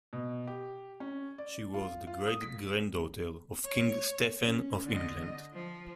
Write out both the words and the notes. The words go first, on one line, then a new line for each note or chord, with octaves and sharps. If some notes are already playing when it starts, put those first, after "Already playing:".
She was the great-granddaughter of King Stephen of England.
B2
G4
C#4
D5
F4
F4
D#6
B6
C#5
C#4
D3 D#5
F3